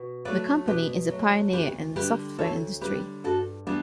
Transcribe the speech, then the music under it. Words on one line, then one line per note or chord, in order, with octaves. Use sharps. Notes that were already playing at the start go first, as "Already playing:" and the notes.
The company is a pioneer in the software industry.
Already playing: B2
F#3 A3 B4 D5
B2 G4 B4
F#3 A3
D2 G4 B4
D3 G3 G4 B4
D2 A4 C#5
D3 G3 G4 B4
G2 F#4 A4
E3 G3 B3 D4